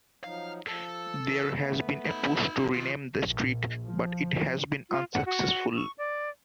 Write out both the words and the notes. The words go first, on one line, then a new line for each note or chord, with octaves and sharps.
There has been a push to rename the street, but it has been unsuccessful.
F3 F#3 D#4 F5
F3 A4 A5
E3
A3 B3 B4
D#4 B5
D#3 F4
A#1
F3
F4
F#5
F#4
C#6
D5